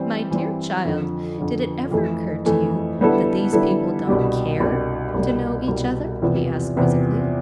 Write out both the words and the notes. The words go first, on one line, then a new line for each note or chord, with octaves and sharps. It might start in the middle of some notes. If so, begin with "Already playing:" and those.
"My dear child, did it ever occur to you that these people don't CARE to know each other?" he asked quizzically.
Already playing: E3 G3 C4
E3 G3 C4
F2 D3 F3
F2 D3 F3
F2 E3 A3
F2 E3 A3
D3 G3 B3 E4 A4
D3 G3 B3 E4 A4
C2 B2 G3 D4 G4
C2 B2 G3 D4 G4
C2 B2 G3
C2 B2 G3
E2 C3 F3 B3
E2 C3 F3 B3